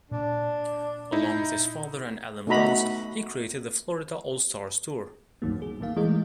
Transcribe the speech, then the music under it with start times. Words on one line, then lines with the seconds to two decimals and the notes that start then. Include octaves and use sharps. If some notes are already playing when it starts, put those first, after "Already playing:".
Along with his father and Alan Bruns, he created the Florida All Stars Tour.
0.11 A#2 D4
1.13 D#4 E4
2.47 A3 B3 D#4 F#4 A#5 B5
5.42 C#2 G2 A#2 D#3 F#3 A#3
5.62 G#4
5.80 A#2 D#3 A#3 F5
5.96 E3 G#3 A3 G#4 D#5